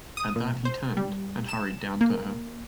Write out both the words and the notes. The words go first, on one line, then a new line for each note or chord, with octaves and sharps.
At that he turned and hurried down to her.
D#6
A#2
C5
G3
E7
A#3